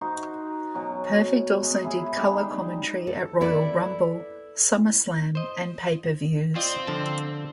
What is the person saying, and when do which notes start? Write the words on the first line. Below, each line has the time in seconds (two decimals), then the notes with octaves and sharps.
Perfect also did color commentary at Royal Rumble, SummerSlam and pay-per-views.
0.01 D#4 F#4 C5
0.75 B2 F#3 C#4
1.64 G#3
1.84 E4 G#4
2.16 D3 G3 G#3 G4
2.32 D#4
3.07 A4
3.41 E4 A4 B4 D5
5.35 C5 D#5
6.56 C4 F4 D5 D#5
6.87 D3 F3 A5